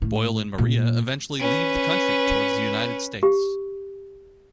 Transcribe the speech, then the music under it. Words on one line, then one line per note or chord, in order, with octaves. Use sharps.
Boyle and Maria eventually leave the country towards the United States.
A2
A#2
C#4 B4
G4